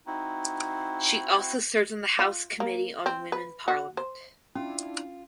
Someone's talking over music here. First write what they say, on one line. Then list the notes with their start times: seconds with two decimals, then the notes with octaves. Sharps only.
She also serves in the House Committee on Women Parliament.
0.07 C4 D#4 E4 F#4
2.19 F4
2.60 A#3
3.06 C4
3.32 B4
3.68 F#4
3.97 C5
4.55 C#4 D4 E4 F4